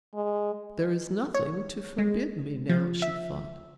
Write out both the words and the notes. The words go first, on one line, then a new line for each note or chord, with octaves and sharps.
"There is nothing to forbid me now," she thought.
G#3
C#5
G#3
F3
E5